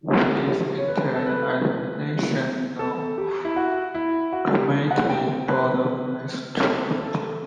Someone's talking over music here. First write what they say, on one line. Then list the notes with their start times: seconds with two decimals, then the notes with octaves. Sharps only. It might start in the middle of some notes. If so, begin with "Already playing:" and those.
He is interred at National Cemetery Bourne, Massachusetts.
0.11 G4
0.49 G4
0.78 C#5
0.88 B4
1.16 A4
1.26 B4
2.79 A4
3.18 G4
3.45 E4
3.56 F#4
3.95 E4
4.33 F#4
4.52 G4
4.91 F#5
5.10 G5
5.47 B4
6.63 A4
7.01 A4